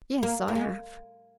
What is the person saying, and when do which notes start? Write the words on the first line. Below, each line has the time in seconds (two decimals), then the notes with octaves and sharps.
"Yes, I have."
0.23 A#3
0.48 A#3
0.55 G#3